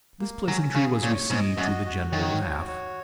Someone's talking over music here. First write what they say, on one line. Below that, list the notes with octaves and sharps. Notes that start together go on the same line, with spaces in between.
This pleasantry was received with a general laugh.
A#3
F#3 C#4
C#3 G#4
A#2 C#5
G#2 D#5
F#2 F#4
F#4
D#3 C#5
F#4
C#5